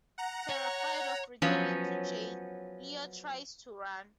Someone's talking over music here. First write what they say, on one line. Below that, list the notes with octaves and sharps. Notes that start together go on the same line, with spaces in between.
Terrified of returning to jail, Leo tries to run.
F#5 A#5
C#5
F3 F#3 B3 C#4